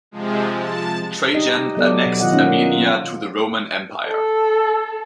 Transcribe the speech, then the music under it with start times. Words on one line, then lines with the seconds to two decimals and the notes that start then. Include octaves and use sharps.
Trajan annexed Armenia to the Roman Empire.
0.11 C3 F3 G#3
0.58 A5
1.34 D#4 G4 D#5
1.77 F#3 B3 A4 D5
2.05 B2 F#3
2.20 D#3 F4 D#5 F#5
2.33 A#3 C#4 D#4
2.61 B3 F4
4.08 A4